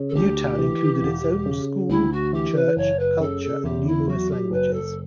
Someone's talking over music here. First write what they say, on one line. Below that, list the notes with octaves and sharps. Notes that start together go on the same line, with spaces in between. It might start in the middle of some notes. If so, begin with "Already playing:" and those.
New Town included its own school, church, culture and numerous languages.
Already playing: C#3
A4
D2 G4
E3
E1
C#3
D2 E4
F#4
E3 G4
B4
F#1 C#5
B4
C#3 A4
A4
E2 G4
E4
F#3 F#4
G4
F#1 B4
A4